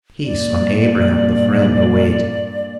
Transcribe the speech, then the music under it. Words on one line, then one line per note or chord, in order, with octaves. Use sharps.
Peace on Abraham the Friend await!
G2 A#2 D5